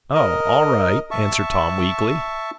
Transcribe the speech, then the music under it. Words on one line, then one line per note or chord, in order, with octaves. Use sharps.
"Oh--all right," answered Tom, weakly.
A#4 D#5
E5 A5 C#6